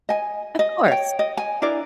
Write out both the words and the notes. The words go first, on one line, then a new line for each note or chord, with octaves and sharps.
Of course.
D#5 G#5
D#5
C#5 G5
D#5
G#5
D4 E4 A#4 D5